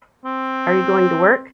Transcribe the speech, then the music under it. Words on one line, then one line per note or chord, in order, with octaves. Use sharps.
Are you going to work?
C4